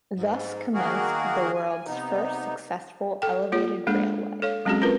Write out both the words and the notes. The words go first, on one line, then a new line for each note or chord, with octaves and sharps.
Thus commenced the world's first successful elevated railway.
G#2
D#3 A#3 F#4 G#4 A#4
G#5
C3 B3 D#4
A4 G5
A#3 F4 C#5
G#3 A#3 D4 G#4 A4
A4 C#5 F5
F#3 G#3 C4 C#4 F#4 G#4
C4 C#4 F4 A#4 B4